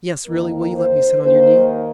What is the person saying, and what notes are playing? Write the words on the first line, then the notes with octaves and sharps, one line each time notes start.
Yes, really, will you let me sit on your knee?
F2 D#3 A#3 D#4 A#4
C5
D#2 D#3 A#3 D#4 C5